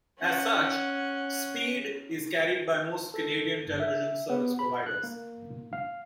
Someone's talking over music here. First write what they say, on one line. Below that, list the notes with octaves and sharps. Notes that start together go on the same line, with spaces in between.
As such, Speed is carried by most Canadian television service providers.
C#4 F#5
A4
G1
E5
B3
B5
F#6
A#3
F5